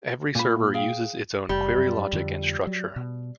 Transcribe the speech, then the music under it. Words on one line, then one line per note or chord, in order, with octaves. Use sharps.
Every server uses its own query logic and structure.
A#2 B5
G#4 F5 G5
F1 G3
F#2
F2 D3 F3
F#3
B2